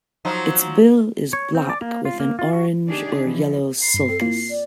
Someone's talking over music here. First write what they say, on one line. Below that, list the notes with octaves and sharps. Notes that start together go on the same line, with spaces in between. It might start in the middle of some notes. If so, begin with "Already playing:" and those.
Its bill is black with an orange or yellow sulcus.
F3 F#3 D#4
C#5
C4
D5
A#3
F4
A#3
F4
F#4
D#3 D4 G4 G#4
E3 F3
B5 C7
G2
C4 A4
A#3 E4 F4
D5